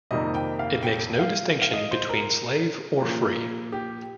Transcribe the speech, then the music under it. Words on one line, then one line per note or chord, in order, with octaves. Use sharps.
It makes no distinction between slave or free.
F2 C3 D#3 G3 A#3 D#5
G5
F5
G5
F5
F5
D#5
C5
A#4
A#2 F3 A#3
G4